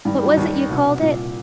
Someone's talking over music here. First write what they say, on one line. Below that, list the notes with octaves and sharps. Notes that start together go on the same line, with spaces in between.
What was it you called it?
G2 D#3 G3
G3
F#3
D#2 D#3 G3
C2 B2
C2 A#2